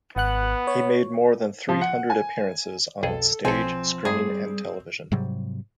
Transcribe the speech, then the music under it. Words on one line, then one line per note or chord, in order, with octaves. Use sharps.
He made more than three hundred appearances on stage, screen, and television.
G#1 B3 F#5 F#6
C#5
F3
F#5
G#5
B1 F2 G#4 A4
B1 F3 C4 A4 G#5
G2 G3 G#4
G#2 C3 F#3 G3